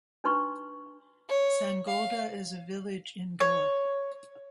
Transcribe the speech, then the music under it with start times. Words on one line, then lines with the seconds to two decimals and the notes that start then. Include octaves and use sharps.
Sangolda is a village in Goa.
0.24 D4 D#4 B4 C6 C#6
1.28 C#5
1.88 F5
3.40 C#5